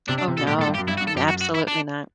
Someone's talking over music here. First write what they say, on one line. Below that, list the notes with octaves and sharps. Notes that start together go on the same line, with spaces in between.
Oh, no, n absolutely not.
C3 D4
D4
C3
B2 A4
A2 G4
A2
A4
G2
G4
F#2
G2 E4
F#4
G2
A4
F#2 G4
F#4
F#4
E4
D4